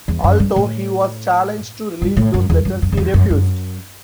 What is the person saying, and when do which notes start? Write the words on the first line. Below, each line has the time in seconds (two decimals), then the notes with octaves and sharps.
Although he was challenged to release those letters he refused.
0.08 E2
0.24 F#2
0.40 G2
0.56 A2
2.02 G2
2.17 A2
2.34 F#2
2.50 E2
2.65 F#2
2.82 F#2
2.92 F#2
2.97 E2
3.14 F#2
3.30 F#2